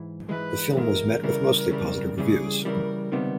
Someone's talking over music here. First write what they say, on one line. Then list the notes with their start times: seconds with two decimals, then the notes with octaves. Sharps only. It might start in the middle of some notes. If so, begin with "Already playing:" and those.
The film was met with mostly positive reviews.
Already playing: G#2 E3
0.29 G#2 E3 G#3 B4
0.76 G#2 E3 G#3 A#4
1.23 C#3 E3 G3 A#4
1.71 C#3 E3 G3
2.18 C#3 E3 G3 G#4
2.65 C#3 E3 G3 A#4
3.12 C#2 C3 D#3 G3 B3